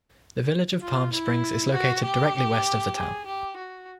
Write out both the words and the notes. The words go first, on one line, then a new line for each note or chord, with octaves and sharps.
The Village of Palm Springs is located directly west of the town.
F4
E4
F#4
G4
G#4
G4
F#4